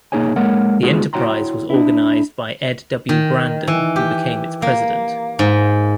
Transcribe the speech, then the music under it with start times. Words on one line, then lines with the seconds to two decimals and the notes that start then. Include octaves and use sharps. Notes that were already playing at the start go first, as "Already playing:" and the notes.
The enterprise was organized by Ed W. Brandon who became its president.
0.12 B1 A#3 D#4 G#4 C#5 G#5
0.36 G#3 A#3 A#4 C#5 F#5
0.83 G#3 B3 D#4 F4 F#4 G#4
1.13 E4 F#4 C#5 G5 A#5 C6
1.70 D4 E4
3.09 D#3
3.67 E3
3.96 G4
4.62 A#3
5.39 G#2